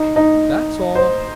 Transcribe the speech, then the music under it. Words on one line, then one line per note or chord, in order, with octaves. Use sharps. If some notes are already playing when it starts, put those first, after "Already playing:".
That's all.'
Already playing: D#4
D#4
C5